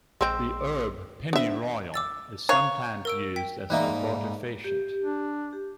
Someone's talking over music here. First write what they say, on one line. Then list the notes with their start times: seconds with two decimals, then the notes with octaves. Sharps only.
The herb pennyroyal is sometimes used as an abortifacient.
0.21 A#1 G#3 C4 C6 E6
1.33 B3 D4 C5 E5
1.94 D6 E6 A6
2.49 C#5 F5 A#5 F#6
3.05 A#4 E6 D7
3.36 G5 B6
3.70 G#2 G3 A#3 D#4 C5 D5 E5
4.64 G4
5.03 D4
5.53 G4